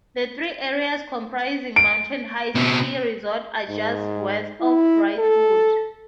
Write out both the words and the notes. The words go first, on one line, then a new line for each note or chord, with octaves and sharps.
The three areas comprising Mountain High ski resort are just west of Wrightwood.
D7
B2 C4
G#2
E4
A4